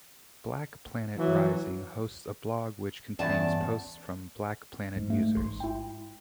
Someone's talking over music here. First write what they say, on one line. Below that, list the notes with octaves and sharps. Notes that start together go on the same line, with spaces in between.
BlackPlanet Rising hosts a blog which contains posts from BlackPlanet users.
E3 F#3
E2 G2 C#4 D5 A5
G#2
A3
A1 C6
E4 G5